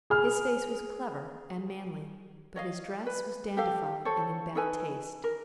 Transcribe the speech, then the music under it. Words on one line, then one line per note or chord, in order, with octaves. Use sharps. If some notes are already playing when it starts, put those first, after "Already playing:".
His face was clever and manly, but his dress was dandified and in bad taste.
G#4 F6
C#5 D#5 F5
B4
G4 A4 F5
A4 C5 C#5
D#4 A4 B4 G#5
A#4